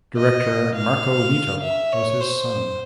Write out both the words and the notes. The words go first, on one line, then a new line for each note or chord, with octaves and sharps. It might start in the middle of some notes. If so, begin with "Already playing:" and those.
Director Marco Leto was his son.
D#5
F5
E5
C#5
C5